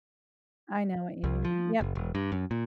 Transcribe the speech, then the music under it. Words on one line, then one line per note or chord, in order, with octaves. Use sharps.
I know what you mean, yep.
C2
F3
F#1
E1
G2
F#2
A#2